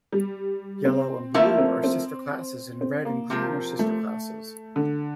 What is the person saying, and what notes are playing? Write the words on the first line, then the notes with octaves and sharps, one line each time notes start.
Yellow and Blue are Sister Classes and Red and Green are Sister Classes.
G3
C4
F3 A3 A#3 E4 A#4 E5
C4
C4
C4
A#3
C3 F3 C4 F4 A#4
A3
D3